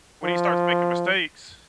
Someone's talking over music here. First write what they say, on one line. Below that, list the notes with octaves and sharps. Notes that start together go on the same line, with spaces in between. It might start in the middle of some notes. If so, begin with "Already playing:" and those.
when he starts making mistakes,
F3